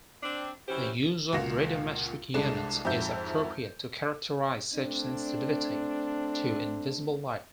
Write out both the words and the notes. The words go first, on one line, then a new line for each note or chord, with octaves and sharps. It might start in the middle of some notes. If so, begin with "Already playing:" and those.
The use of radiometric units is appropriate to characterize such sensitivity to invisible light.
C4 D4
E3 C#4 F#4 G4 C5
C#2 A#2 F#4 F5 A#6 E7
C2 G#3 D4 A4 E7
F2 G#2 F#4 E5 G6
A3 C4 D4